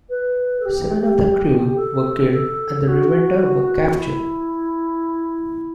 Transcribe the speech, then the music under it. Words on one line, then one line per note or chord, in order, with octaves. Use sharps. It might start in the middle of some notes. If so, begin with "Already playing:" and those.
Seven of the crew were killed, and the remainder were captured.
B4
A4
G4
G4
A4
A4
F#4
E4